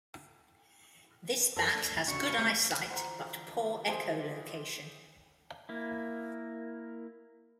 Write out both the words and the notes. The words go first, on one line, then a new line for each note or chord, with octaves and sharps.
This bat has good eyesight, but poor echolocation.
F#2 A4 A#4 C5
A3 D4
C#3 D4 F#4 C#6
B4 F5 G#5
G#3 A3 C4 G4
D3 E3 F3 C5 F#5 A#5
G4 G#4 C5
A#3 E4